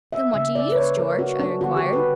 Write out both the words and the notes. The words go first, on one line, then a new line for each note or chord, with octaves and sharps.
"Then what do you use, George?" I inquired.
E5
C#3 G3 A#3 E5
D5
B4
C#5
A#4
F#4
D4
D3 G3 B3 F#4
G4
B4